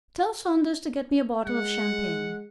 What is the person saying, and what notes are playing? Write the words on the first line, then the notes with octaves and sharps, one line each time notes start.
Tell Saunders to get me a bottle of champagne.
G#3 F#5